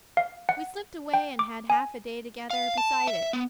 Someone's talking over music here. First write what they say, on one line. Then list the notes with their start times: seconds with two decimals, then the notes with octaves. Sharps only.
We slipped away and had half a day together beside it.
0.17 F5
0.49 F#5
1.14 G5
1.39 D6
1.70 G#5
2.50 F5
2.77 A5
3.07 E5
3.33 B3